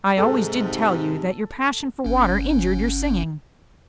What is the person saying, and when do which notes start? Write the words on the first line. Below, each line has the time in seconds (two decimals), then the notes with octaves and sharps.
I always did tell you that your passion for water injured your singing.
0.18 G#2 C3 A4
2.04 G1 C#4